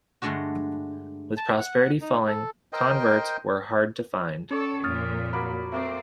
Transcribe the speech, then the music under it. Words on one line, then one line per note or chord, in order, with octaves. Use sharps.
With prosperity falling, converts were hard to find.
G2 D3 G#3 A3 D4 F#4
A5
F#5
D#4
A4
A#4 C5 D#5 G5
C#4 A4 C#5 D5 C#6
F2 A#2 D#6 F6 A6
F#3 A#3 B5
A3 A#3 C4 D5